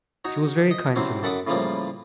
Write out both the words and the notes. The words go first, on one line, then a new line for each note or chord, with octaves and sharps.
She was very kind to me.
D#4 F#4 C#5
D#5
C3 E3 F#3 C4 C#4
F#2 A4 F#5 B5 D6 D#6
A2 C#3 E3 F3 G3 A#3